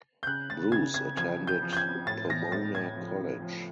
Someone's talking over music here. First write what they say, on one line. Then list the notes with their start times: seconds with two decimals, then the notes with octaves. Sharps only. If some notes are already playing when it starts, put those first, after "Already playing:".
Bruce attended Pomona College.
0.23 G6
0.27 C#3 F#6
0.50 A6
0.72 C#3 G#6
0.94 G#6
1.17 F3 G#6
1.47 G6
1.62 F3
1.73 G6
1.77 G#6
2.07 A2 A6
2.30 A#6
2.52 A2 A6
2.75 G#6
2.97 F3
3.42 F3